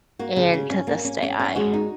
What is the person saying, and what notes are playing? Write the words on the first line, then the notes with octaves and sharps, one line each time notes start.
And to this day, I
A#3 F#4
C#3
C#4
C#4
A#3
C#4
C#4
C#4
G#3 F#4
D#4